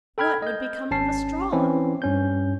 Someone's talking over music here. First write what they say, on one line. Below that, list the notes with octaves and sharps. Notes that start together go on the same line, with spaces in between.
What would become of Estralla?
A4 G5 B5 F6 G#6
D#5 G6
G#1 C#4 A5 C7
E3 C4 C#4 E4
G2 C#4 G6